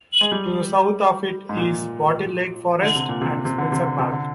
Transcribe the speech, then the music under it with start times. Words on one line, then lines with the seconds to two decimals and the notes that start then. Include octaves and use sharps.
To the south of it is Bottle Lake Forest and Spencer Park.
0.21 G#3
0.32 G3
1.49 G#2
1.57 A#2
2.82 D3
2.95 C3
3.09 A#2
3.21 C3
3.45 C3
3.58 D3
3.72 C3
3.86 D3
3.99 C3
4.12 D3